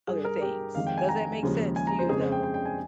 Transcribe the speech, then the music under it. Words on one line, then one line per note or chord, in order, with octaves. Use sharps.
other things. Does that make sense to you, though?
G2 G3 G#4
A#4
G4
F2 D#3 G#3 F5
G5
G#5
A#5
D#2 C#3 F3 G#3
G#5
A#5
C5
F2 C#3 G#3 G#4
C5
G5
G5
G5
G#5